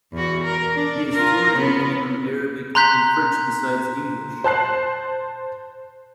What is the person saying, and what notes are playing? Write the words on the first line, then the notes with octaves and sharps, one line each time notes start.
He is fluent in Hebrew, Arabic, and French, besides English.
E2 F#4
A#4
D4
F4 A#4
C#3 B3
A#5 C6 F#6 G6 B6
C5 A5 F#6 C7